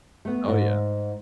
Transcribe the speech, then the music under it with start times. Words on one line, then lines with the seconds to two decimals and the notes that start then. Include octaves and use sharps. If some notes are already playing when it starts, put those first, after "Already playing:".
Oh, yeah.
0.25 A3 B3
0.48 G#2